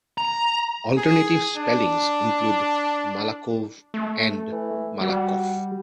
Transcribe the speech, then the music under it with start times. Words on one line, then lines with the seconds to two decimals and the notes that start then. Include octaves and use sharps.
Alternative spellings include Malakov and Malakoff.
0.18 A#5
0.97 G#4
1.57 D4
3.94 A3
4.52 E3
5.01 G3 F#4